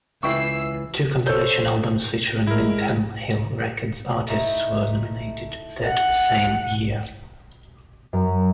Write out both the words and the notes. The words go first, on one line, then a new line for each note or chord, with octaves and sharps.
Two compilation albums featuring Windham Hill Records artists were nominated that same year.
C#2 E3 E4 G5 C#6 E6 C7
A4 C5 C#5 G6
G#3 E4 A#4
A3 D#4 E4
F#5
F#2